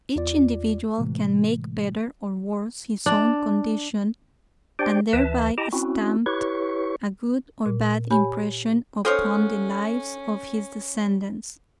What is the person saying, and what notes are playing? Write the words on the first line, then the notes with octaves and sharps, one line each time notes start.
Each individual can make better or worse his own condition and thereby stamp a good or bad impression upon the lives of his descendants.
E2 F4 D5
A2 C3 E3 G#3 A3
D4
D4 G4 C5 D5 G5
D2 E3 B4 E5 A5
E4 G4 D#5 G5 A5 A#5
C4 C#4 E4 F#4
E4 G4 B4 C#5 C#6
A#2
G4 C#5 G#5 B5
C#4 D#4 G#4 A4 C5 C#5 F5 F#5